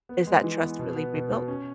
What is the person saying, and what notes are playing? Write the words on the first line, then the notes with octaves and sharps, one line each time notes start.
is that trust really rebuilt?
B3
G#3
E3
B3
B2
B3
B2
B2
C#4